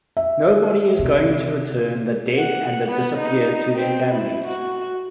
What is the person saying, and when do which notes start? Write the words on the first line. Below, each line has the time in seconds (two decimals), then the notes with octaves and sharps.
Nobody is going to return the dead and the disappeared to their families.
0.17 E5
0.99 C3
2.38 F#5
2.89 B3
3.17 D#4
3.78 C4
4.10 E4
4.45 F#4